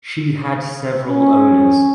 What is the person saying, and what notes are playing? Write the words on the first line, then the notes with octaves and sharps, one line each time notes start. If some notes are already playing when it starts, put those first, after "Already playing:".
She had several owners.
C#4